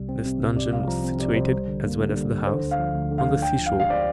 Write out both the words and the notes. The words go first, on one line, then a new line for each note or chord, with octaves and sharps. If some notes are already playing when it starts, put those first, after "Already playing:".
This dungeon was situated, as well as the house, on the seashore.
Already playing: C2 C3 G3
C4
C3
C2
C3 D5
C2 F5
F3 A#5
C4
C3 D5
C2 C5
G3
D3
A#3
D3
G3
D3
D3 C5
D2
F5
F3
D2
D3
F5
D2
D4 G5
F3
F5
G4
F5
C5 D5